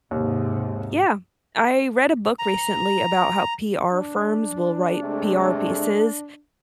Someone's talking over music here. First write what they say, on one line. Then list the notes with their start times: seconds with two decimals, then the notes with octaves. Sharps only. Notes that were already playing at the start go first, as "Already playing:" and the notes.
Yeah. I read a book recently about how PR firms will write PR pieces
0.11 D#2 G#2 C3
2.39 A#5
3.90 D4
5.01 C3 G#3 A3